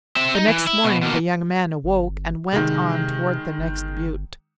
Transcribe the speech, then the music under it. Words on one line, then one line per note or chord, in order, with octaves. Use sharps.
The next morning the young man awoke and went on toward the next butte.
C4 E5
D#4
E3
E4
B2
B2 A#3
G1
C3 D#3 G#3
G1